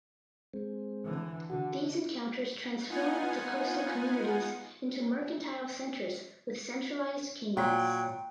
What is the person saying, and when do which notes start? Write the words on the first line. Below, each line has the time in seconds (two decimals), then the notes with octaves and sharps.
These encounters transformed the coastal communities into mercantile centers within centralized kingdoms.
0.54 G#3 C4
1.04 D3 E3
1.50 D3 F#4
2.88 B3 D#4 F4 F#5 G#5
7.57 A#2 F#3 G5